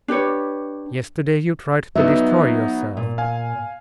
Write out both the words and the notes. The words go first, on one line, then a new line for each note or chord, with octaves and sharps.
Yesterday you tried to destroy yourself.
D4 G4 B4 C#5
F#3 B3 D#4 E5
A#2
F5 G#5